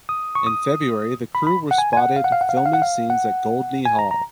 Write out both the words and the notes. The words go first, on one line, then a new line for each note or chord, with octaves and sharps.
In February the crew were spotted filming scenes at Goldney Hall.
D#6
C#6
D#6
B5
B5
F#5
G#5
G#5
F#5
F5
F#5
F5
F#5
F5
F#5
F5
F#5
F5
F#5
G#5
A#5
A#5